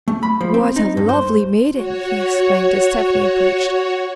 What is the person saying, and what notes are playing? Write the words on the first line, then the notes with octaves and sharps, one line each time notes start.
'What a lovely maiden!' he exclaimed, as Tephany approached.
A3
B5
F3
C4
D#4
G2
C5
F#4 C#5